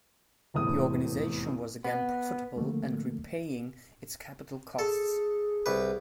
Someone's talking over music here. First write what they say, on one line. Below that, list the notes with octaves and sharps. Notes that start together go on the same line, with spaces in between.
The organisation was again profitable and repaying its capital costs.
F1 E2 A2 D#6
B3
D3 F3 A3 A#3
G#4 A4
C2 B4